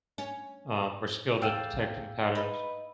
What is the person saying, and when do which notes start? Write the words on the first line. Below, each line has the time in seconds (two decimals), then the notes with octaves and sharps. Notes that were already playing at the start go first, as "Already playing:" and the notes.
Um, we're skilled at detecting patterns,
0.18 C#4
1.42 E2 A4 F5 G5 E6
2.35 D#4 B4